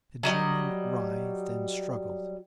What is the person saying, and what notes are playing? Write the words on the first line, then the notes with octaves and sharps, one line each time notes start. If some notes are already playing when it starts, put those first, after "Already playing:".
The German writhed and struggled.
F#3 G3 D#5